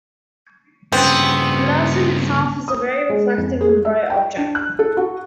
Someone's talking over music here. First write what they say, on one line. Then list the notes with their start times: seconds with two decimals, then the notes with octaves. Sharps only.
The mountain itself is a very reflective and bright object.
0.92 G2 C#3 B3 C4
2.68 D#6
3.10 G#3
3.38 F2
3.61 G#4
3.85 E5
4.10 G5
4.37 D4
4.55 F#6
4.79 A4
4.97 F#4